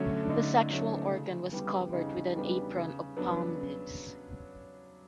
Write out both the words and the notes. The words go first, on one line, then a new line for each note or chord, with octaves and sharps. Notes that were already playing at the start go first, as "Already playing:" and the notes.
The sexual organ was covered with an apron of palm leaves.
Already playing: D3 F#3 A3 C#4 D4
D4
D3 D#4
F#3 A3 C#4
C#3
E3 G3 B3 D4
C#3 D#4
E3 G3 B3 D4
C#3
F#3 B3 D4